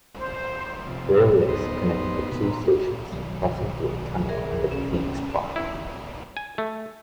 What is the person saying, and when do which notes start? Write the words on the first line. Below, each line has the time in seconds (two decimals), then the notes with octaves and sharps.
Rail links connect the two stations passing through a tunnel under the Phoenix Park.
0.17 C5
0.87 C3 F3
1.16 G2
1.48 D1 B3 D#4 C5 D#5
1.89 A1 F2 D#4 G4 C6
2.32 B2 B3 B4
2.44 A#2 B3 A#5 C6
3.12 B1 D#3 F#3
4.29 G#4 A#4 E5
4.71 C#4
5.56 E4
6.37 G#5
6.58 A3